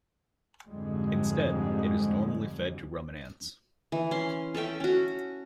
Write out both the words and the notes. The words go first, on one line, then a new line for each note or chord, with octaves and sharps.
Instead, it is normally fed to ruminants.
F2 G#2 D3 G3 G#3
E3
C#4 C6
C#4 A4 E5 G5
C#4 F#4